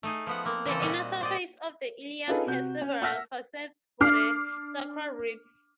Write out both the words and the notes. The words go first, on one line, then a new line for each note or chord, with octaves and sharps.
The inner surface of the ilium has several facets for the sacral ribs.
A3 D#4 G#4
F3 B3 F#5
A#3 C4
C#3 E3 C4 A4
A#2 G3 C4 F#4 D#5
C5 D5 D#5
C#4 D#4 F4 G#4 A4 B4
C3 F#4 G6
C#4
E5 F#5 E6 F6 A#6 B6
D4 D6 F6 C7